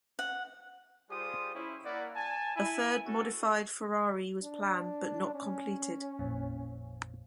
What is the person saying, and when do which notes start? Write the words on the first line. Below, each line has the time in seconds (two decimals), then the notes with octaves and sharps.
A third modified Ferrari was planned but not completed.
0.19 F#5
1.10 G3 F4 G4 G#4 C5 D#6
1.55 C#4 E4 C5
1.85 A#3 E4 A#4 D5 F#5 B5
2.16 G#5 A5
2.56 E4 G#5
3.06 C#4 F#4 A4
4.44 D4
5.34 C#4
6.19 A1 F2 A#2